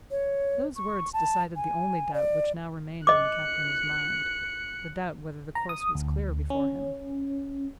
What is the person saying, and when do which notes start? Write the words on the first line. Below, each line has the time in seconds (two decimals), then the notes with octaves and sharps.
Those words decided the only doubt which now remained in the captain's mind--the doubt whether the course was clear before him.
0.11 C#5
0.77 C#6
1.13 A5
1.56 G#5
2.14 D5
3.07 D#5 D6 F#6 C#7
5.55 A#5
5.69 D#6
5.95 D2
6.50 C#4